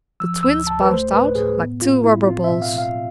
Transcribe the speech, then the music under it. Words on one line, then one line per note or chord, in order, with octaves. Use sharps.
The Twins bounced out like two rubber balls.
F3 E6
D2 E6
D2 A5
B4
A3 C5
A2 B4
A2 G#4
B3
A2 F4
A2 E4
C4 F4
E5
B2
F5
B2
F5